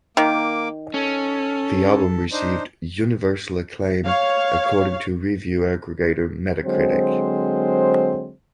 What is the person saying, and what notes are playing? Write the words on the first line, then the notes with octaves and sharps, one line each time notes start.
The album received "universal acclaim" according to review aggregator Metacritic.
D#3 A#3 D6
C#4 A4
D4 D#4 C5
C#5 F5
D3 F#3 G#3 C4 C5